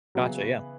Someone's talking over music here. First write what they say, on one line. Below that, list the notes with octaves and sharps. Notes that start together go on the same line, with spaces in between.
Gotcha, yeah.
C#3 E3 F#3 B3 E4 B4